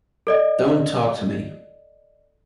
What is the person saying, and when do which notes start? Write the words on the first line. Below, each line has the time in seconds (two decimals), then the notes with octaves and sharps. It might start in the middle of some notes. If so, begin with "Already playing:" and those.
Don’t talk to me.
0.27 A4 D5 D#5